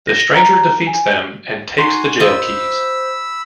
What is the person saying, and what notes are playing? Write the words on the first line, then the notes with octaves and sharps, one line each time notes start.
The stranger defeats them and takes the jail keys.
A#6
A#5
G#5
D#4 F#4 G#5 C6 C7
F4 C5 D#5 B5 E6